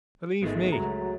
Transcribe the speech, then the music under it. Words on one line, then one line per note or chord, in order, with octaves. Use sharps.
Believe me!
G#1 G#3 A3 B3 D#4
C#2 F#3 F#4 A#5